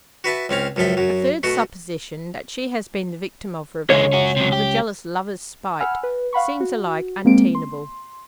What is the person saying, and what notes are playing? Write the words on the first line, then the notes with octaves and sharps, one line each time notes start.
A third supposition, that she has been the victim of revenge--of a jealous lover's spite--seems alike untenable.
F#4 B4 E5 A5
C#2 C4 C#4 F5
C#2 F#2 F3 A4 E5
F#2 F#3
B2 A3 F#4
C#2 D3 G#3 C#5
C#4 F#4
C3 F#3
G4
F#5 G#5 B5 E6 F6
B4
F5 F#5 B5 C#6
F#4
G#3 A#3 C4 D7
C6